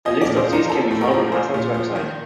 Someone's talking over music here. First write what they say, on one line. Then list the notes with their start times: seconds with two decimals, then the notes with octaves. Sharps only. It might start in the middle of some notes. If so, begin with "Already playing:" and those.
A list of these can be found on Hassan's website.
0.05 F3 D#5
0.21 A#2 D5
0.37 C5
0.48 F3 A#4
0.69 F3 A4
0.91 A2
1.01 A#4
1.11 F3
1.32 F3 C5
1.54 A#2
1.74 F3
1.96 D#3